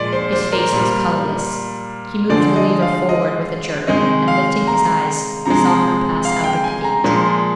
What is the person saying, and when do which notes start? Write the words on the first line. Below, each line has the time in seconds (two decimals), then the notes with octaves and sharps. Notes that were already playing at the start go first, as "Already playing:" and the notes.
His face was colorless. He moved the lever forward with a jerk, and lifting his eyes, saw her pass out of the gate.
Already playing: A#2 F3 G#3 D5 D#5
0.13 C5
0.32 C5
0.52 A#4
0.72 A#2 G3
2.29 D3 F3 G#3 D5
2.56 D#5
2.82 F5
3.09 D#5
3.87 C3 D#3 G#3 D#5
4.28 F5
4.67 A#5
5.46 C3 F3 G#3 A#5
6.25 F5
6.44 G5
6.64 G#5
6.84 A#5
7.04 A#2 F3 G#3